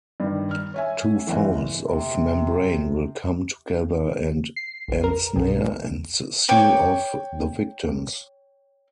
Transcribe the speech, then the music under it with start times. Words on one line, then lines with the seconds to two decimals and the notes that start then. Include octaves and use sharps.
Two folds of membrane will come together and ensnare and seal off the victims.
0.20 G2 D#3
0.51 F6
0.74 C#5 E5 G#5
1.27 G#1 E3
1.83 C3
4.56 C7
4.88 A#1
5.04 A#4
5.36 B1
6.48 C#5 G5 D6